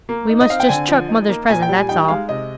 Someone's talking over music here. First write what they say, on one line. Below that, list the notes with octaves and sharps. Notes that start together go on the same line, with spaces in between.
We must just chuck mother's present, that's all.
A#3
D#4
D#5
C4 F5
G5
D3 G#5
F3
D#4
A#3
A#2 G#5
G5
G3
G#5
D#4 G5
G#3 F5
C3 D#5